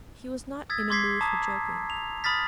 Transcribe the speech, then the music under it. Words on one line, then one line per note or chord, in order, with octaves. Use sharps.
He was not in a mood for joking.
D#6 E6 G#6 A6 B6
C6 D6 G#6 B6 C7
A5 A#5 D6 D#6
F7
B5 D#6 F6 A6 B6